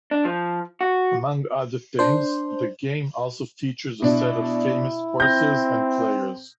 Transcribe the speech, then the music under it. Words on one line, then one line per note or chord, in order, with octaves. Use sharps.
Among other things, the game also features a set of famous courses and players.
D4
F3
F#4
D4 C5
B2 D4 E4
C4 G6 A#6